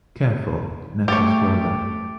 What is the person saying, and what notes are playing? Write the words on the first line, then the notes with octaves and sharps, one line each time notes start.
Careful, nettles grow there.
A3 G4 C#5 D6 A6 D7